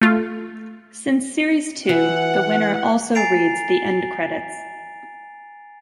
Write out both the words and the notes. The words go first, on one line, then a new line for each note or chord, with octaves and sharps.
Since series two, the winner also reads the end credits.
A3 F4
E3 F#5
G#5 A#5 A6 C7 D7 F7